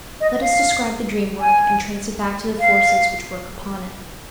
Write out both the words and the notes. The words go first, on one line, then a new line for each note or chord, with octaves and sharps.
Let us describe the dream work and trace it back to the forces which work upon it.
D#5
F5
G#5
F5